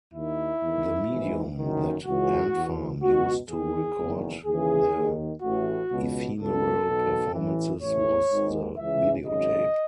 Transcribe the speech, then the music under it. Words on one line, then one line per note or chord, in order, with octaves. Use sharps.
The medium that Ant Farm used to record their ephemeral performances was the videotape.
D#2 D#3 E4
E2 D#3
G#1 G#2 E3
F#1 F#2 D#3
C#2 C#3 E3 F#4
E2 B2
C#2 B2 F#4
E2 D#3 G#4
F#1 E2 D#3
D#2 C#3 E3 G#4
D#2 D#3
A1 A2 E3 F#4
C#2 B2
C#2 B2 A4
B1 B2
A1 A2 E3
A1 A2 E3 C#5
G#1 G#2 D#3
C#2 C#3 E3 E5
G#1 F#2 C#3 D#5